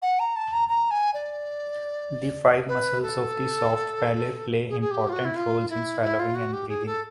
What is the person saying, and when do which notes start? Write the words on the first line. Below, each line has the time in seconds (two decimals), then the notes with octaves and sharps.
The five muscles of the soft palate play important roles in swallowing and breathing.
0.02 F#5
0.19 A#5
0.36 A5
0.53 A#5
0.69 A#5
0.91 G#5
1.14 D5
2.68 B4
3.03 A4
4.69 G#4
4.81 G#4
4.91 G4
5.09 F4
5.13 F#4
5.25 E4
5.36 F4
5.69 E4
6.02 E4
6.19 F4
6.35 F#4
6.53 G4
6.69 G#4
6.86 A4